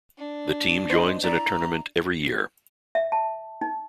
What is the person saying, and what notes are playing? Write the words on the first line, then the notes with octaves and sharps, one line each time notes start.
The team joins in a tournament every year.
D4
C5 D#5 C6
E4 D5 E5 A#5
E5
A5
D#4